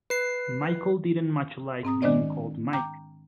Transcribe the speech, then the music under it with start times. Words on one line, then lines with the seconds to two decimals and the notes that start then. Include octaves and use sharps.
Michael didn't much like being called Mike.
0.10 B4 C7
1.83 G#2 C4 A#5 D#6
2.02 D#3 G#3 D4 C5 D5 D#5
2.73 G5 A#5 D6 G6